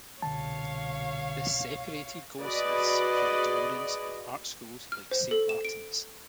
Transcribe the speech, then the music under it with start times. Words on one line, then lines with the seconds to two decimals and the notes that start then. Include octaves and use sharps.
This separated Goldsmiths from the dominance of art schools like Saint Martins.
0.22 C2 B2 D3 C#5 F5 A5
2.43 F#4 G#4 B4 D5 D#5
4.92 F6
5.11 C5
5.31 A4
5.49 E7
5.65 D7